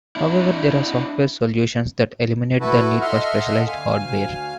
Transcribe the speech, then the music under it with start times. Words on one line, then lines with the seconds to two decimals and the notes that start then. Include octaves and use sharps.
However, there are software solutions that eliminate the need for specialized hardware.
0.16 D4 E4
2.60 E4 F#4 A4 B4
3.01 A4 D#5 E5 F#5 C6 F6
3.67 D2 F5 G#5 F6